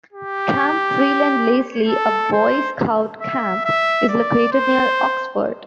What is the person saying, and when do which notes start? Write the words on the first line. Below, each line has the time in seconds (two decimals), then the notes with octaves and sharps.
Camp Freeland Leslie, a Boy Scout camp, is located near Oxford.
0.13 G4
1.88 A4
2.32 C5
3.21 E5
3.65 E5
4.09 D5
4.52 C5